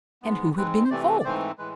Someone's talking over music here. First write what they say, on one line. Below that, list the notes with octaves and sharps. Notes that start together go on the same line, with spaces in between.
And who had been involved?
G#2 G#3 B3
G#2 G#3 C4 B4
C5
C3 E3 A3 C4 D5
D5
G#2 E3 A3 C4 C5
A2 E3 G#3 B4